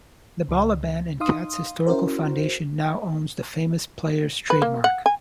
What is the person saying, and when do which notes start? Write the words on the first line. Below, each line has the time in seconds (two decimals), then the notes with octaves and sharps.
The Balaban and Katz Historical Foundation now owns the Famous Players trademark.
0.49 C#2
1.20 D#4 F5 C6 D#6
1.87 C#4 E4 F#4 A#4 C5
4.50 B4
4.62 A#3
4.84 F#5
5.06 G#5